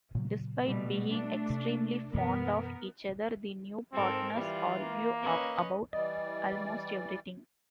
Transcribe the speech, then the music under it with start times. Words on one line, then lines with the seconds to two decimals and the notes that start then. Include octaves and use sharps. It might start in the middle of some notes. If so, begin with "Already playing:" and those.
Despite being extremely fond of each other, the new partners argue about almost everything.
0.15 A#2 C#3 F#3
0.64 B2 G3 A3
1.11 A3 D4
1.50 C3
2.15 F#2 B2 E3 B3 A#4
3.92 G#2 C4 A4 A#4
4.35 E3 G3 F4
4.81 A#3
5.21 C#4 B4 D#5
5.93 E3 G3 D5 D#5